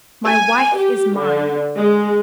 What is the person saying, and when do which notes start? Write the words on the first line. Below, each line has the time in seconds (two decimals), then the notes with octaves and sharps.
My wife is mine.
0.25 G#5
0.76 G4
1.19 D3
1.77 G#3